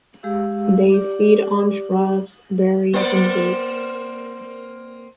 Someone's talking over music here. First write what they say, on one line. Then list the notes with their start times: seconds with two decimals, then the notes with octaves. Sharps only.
They feed on shrubs, berries and roots.
0.23 G#3 G4 G#4 F5 E6
0.90 G4 D5 D6
2.93 A#3 C4 D5